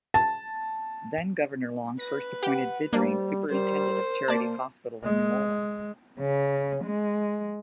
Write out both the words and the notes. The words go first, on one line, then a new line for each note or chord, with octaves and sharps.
Then Governor Long first appointed Vidrine superintendent of Charity Hospital in New Orleans.
A5
B4 A#6
G4 F#5
G3 A#3 D4 C5
G3 A#4 C5
A#3 D5 A5
G#3
C#3
G#3